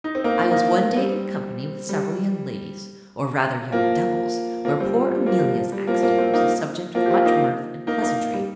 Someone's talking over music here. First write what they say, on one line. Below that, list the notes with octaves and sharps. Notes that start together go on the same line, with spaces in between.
I was one day in company with several young ladies, or rather young devils, where poor Amelia's accident was the subject of much mirth and pleasantry.
D#4
C4
A#3 D#4
A#3 D#4
G3 C4
G3
F3 A#3
F3 A#3
G3 C4
F3
G3
F3 A#3
G3
F3
G3
F3 A#3
F3 A#3
C4 F4
A#3 D#4
F3 A#3
G4
C4 F4
A#3 D#4
A#3 D#4
A#3 D#4
G3